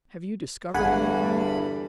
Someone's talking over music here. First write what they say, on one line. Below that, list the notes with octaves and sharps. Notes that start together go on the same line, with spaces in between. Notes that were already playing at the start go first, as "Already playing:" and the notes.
"Have you discovered anything?"
G#1 E2 G2 D3 G3 F#5 G#5 B5